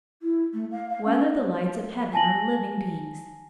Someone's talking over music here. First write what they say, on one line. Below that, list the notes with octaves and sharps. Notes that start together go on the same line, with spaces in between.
Whether the Lights of Heaven Are Living Beings?
E4
A3
F5
F5
C#4
G#5 A5 A#6 F#7